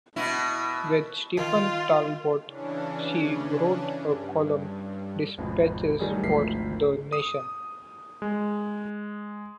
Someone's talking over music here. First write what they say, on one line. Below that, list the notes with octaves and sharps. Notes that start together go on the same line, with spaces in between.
With Stephen Talbot she wrote a column, Dispatches, for The Nation.
B2 E4
D#3 F4
C#3 E3 C#4 D4
G2
G#1 E2 B2 F3
D#3 F#3 G3 A3 G#4
G#1 D2 D#3 F3 B6 C7
D#6
G#3